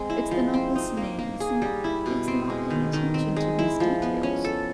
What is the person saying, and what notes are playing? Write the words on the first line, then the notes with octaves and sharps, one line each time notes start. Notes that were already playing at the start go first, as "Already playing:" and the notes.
It's the not listening. It's the n it's the not paying attention to these details.
Already playing: G#3 C4
E4
F3
C4
D#4
A#3
A#3
G#4
G3
E4
B2
C4
G#3
D#3
D#3
C4
G#3
E4
F3
B3
C#4
A4